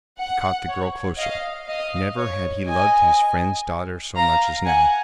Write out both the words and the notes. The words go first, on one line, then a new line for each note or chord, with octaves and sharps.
He caught the girl closer. Never had he loved his friend's daughter so much as now.
F#5
C#5
D#5 F5
D#5 F5
C#5
D#5 G#5
F5 A#5
F#5 G#5